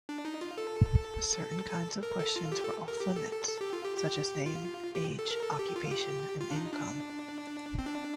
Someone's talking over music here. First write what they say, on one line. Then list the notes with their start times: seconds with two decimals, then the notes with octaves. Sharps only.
Certain kinds of questions were "off-limits", such as name, age, occupation, and income.
0.09 D4
0.25 D#4
0.41 F4
0.58 A4
2.03 A#4
2.19 A4
2.36 F4
2.52 G4
2.64 A4
2.88 A#4
3.00 G4
3.16 A4
3.32 A4
3.48 A4
3.61 G4
3.73 F4
3.85 G4
3.97 G4
4.46 F4
4.95 G4
5.19 A4
5.31 A#4
5.43 A4
5.59 G4
5.76 F4
5.91 G4
6.41 F4
6.51 D4
6.56 D#4
6.72 D4
7.79 C4
7.86 D4